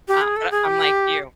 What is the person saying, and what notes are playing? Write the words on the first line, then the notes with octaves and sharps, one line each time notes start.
Um, but a I'm like you
G4
G#4
A4
G#4
G4